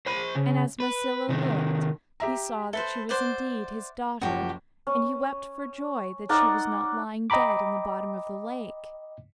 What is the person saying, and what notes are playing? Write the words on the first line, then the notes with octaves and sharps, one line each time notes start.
And as Masilo looked, he saw that she was indeed his daughter, and he wept for joy that she was not lying dead in the bottom of the lake.
C5 B5
C#3
B4
C3 D#3
G4 E5 A#5
A4 B4 C5 E5
C5 D5 F#5
F#1 F3 F#4 G4
C#4
D#4 A#4 D5 F#5
D#5 G5 A#5 B5 D6